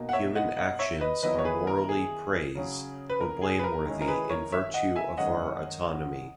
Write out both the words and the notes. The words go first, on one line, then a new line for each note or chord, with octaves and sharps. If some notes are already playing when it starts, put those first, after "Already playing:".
Human actions are morally praise or blameworthy in virtue of our autonomy.
Already playing: B2 A#3 D#4
F#5
C#5 E5
D#5 F#5
D#5 F#5
C#5 E5
B4 D#5
D#3 F#3 B3 E4 B4 D#5
C#5
G#4 B4
A#4
G#4
C#3 F#3 C#4
B4
A#4
G#4
B4
A#4
D#3 G#3 C#4 E4
A#4
G#4 B4
A#4 C#5
C#5 E5
D#5 F#5
E5 G#5
F#2 D#3 G#3 C#4 D#5 F#5